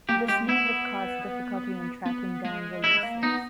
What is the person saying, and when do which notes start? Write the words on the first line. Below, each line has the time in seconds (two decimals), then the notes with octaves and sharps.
This may have caused difficulty in tracking down releases.
0.09 A#3 G4
0.28 G#3 G4
0.48 B3 E4
2.05 B3
2.45 G#3
2.84 G#3 E4
3.03 A#3
3.23 B3 D#4